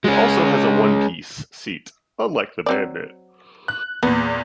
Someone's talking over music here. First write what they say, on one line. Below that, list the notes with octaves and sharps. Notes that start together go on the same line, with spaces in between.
It also has a one-piece seat, unlike the Bandit.
G#3 C#4
F#3 C4 D5
F#6
E2 A#2 B3